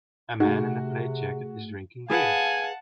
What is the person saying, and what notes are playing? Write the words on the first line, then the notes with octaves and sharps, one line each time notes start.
A man in a plaid jacket is drinking beer.
C3 A3 D#4 F#4 G#4
G#4 B4 F5 F#5 G#5 A5